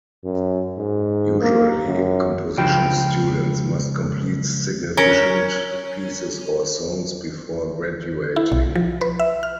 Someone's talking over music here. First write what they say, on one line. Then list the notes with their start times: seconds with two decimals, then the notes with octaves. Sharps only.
Usually, composition students must complete significant pieces or songs before graduating.
0.24 F#2
0.77 G#2
1.41 A#3
1.86 F#2
2.58 C#2 F3 G5
4.97 C#4 A#4
8.36 E4
8.52 B1
8.76 F3
9.01 B4
9.19 E5
9.43 F6